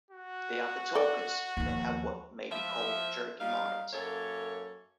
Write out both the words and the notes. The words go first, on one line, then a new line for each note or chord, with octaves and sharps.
They are the talkers that have what may be called jerky minds.
F#4
A4 D5
D#2 F3
F3 E5
G3 D#4 F5
F#2 A#3 A4 C#5